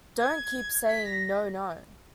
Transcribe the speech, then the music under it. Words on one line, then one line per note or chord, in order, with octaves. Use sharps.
Don't keep saying 'No, no'.
G#6
B6
A#6